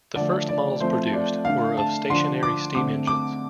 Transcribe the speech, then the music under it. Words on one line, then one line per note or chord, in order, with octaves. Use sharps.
The first models produced were of stationary steam engines.
D3 F3 A3 D5
D5
F3 A3 C4 C5
D5
D3 A3 D4 F5
A5
D3 F3 D4 C6
D6
D3 A3 C4 D6
D6